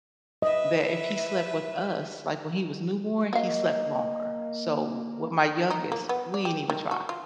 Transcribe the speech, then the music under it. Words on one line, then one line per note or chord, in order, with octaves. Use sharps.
that if he slept with us, like, when he was newborn, he slept longer. So, with my youngest, we didn't even try.
B4 D#5 E5
A#3 F#4 D#5 F5
D#4
A#3
B3
D5
G4
D#3
F#4
F4